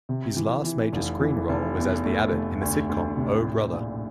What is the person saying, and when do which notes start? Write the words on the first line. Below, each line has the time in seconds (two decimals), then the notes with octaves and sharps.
His last major screen role was as the Abbot in the sitcom Oh, Brother!
0.09 C3
0.37 E3
0.65 E3
0.92 F1
1.20 E3
1.49 F1
1.77 E2
2.05 A3
2.33 F1
2.61 D2
2.89 D2
3.17 C3
3.45 A2
3.73 A#1